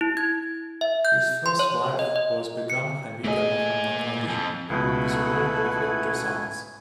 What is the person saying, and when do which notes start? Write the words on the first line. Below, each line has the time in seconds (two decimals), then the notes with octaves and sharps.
His first wife was Begum Hamida Mohammad Ali, with whom he had two sons.
0.01 E4
0.17 G#6
0.81 E5
1.05 G6
1.46 C6
1.59 C#5
1.99 D#5
2.16 D#5
2.70 C#7
3.24 A#2 A3 G#4 D#5 G#5
4.28 F2
4.70 C#2 B2 A3 E4 A4 B4 F#5 G#5